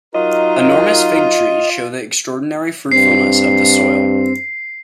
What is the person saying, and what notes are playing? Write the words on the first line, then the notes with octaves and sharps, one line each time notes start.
Enormous fig-trees show the extraordinary fruitfulness of the soil.
F#3 D#4 F4 A#4 D#5
G2 C4 C7